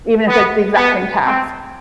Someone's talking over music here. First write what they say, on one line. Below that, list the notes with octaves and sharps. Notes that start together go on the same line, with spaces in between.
even if it's the exact same task.
B3
B3
C4